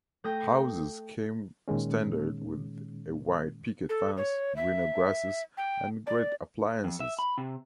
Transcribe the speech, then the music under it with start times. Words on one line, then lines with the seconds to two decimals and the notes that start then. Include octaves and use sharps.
Houses came standard with a white picket fence, greener grasses, and great appliances.
0.24 A3 G5 D#6 G6 A#6
1.68 A#2 D#3 G#3 C#4
3.89 A4
4.17 C#5
4.56 E5
5.57 G5
6.07 D5
6.84 F2
7.00 E5
7.19 B5
7.38 C3